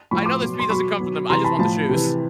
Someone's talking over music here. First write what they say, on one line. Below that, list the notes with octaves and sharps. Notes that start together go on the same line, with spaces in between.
I know the speed doesn't come from them. I just want the shoes.
A2 F3 B5 C#6
C6 D6
B2 F#3
C6
B2 F#3 B5 C#6
B2 F#3
C3 E3 A#5 C6
A5 B5
A2 F3 A5 B5
C3 E3